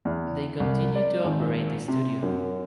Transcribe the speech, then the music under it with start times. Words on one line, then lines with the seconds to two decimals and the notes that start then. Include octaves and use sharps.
They continue to operate the studio.
0.05 E2
0.60 C2
0.95 D5
1.24 G#1
1.88 C3
2.22 F#2